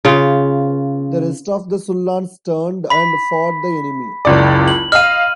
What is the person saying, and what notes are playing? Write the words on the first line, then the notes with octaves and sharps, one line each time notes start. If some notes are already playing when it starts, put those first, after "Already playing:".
The rest of the Sullans turned and fought the enemy.
C#3 F4
B5 B6
F#1 C#2 D5
F#7
D#5 F5 F6 D#7